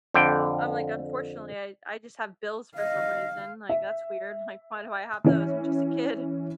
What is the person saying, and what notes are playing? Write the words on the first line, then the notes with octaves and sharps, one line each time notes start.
Yeah. I'm I'm like, unfortunately, I I just have bills for some reason, like, that's weird. Like, "Why do I have those? I'm just a kid."
F2 D3 G5
D#5 F5
E5
E3 C#4 E4